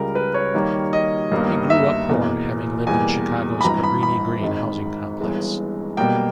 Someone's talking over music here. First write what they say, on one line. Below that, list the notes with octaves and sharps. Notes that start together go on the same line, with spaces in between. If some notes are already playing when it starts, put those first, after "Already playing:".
He grew up poor, having lived in Chicago's Cabrini-Green housing complex.
Already playing: C#2 C#3 G3 A#4
B4
C#5
D#2 D#3 G3 A#3
D#5
G1 G2 D#3 G3 A#3
E5
E2 B2 A#3
E2 B2 G3 A#3 G#5
B5
G#1 G2 E3 A#5
B5
B5
G#1 G#2 D#3
G1 G2 E3 G#3
B1 B2 G3 A#3 G5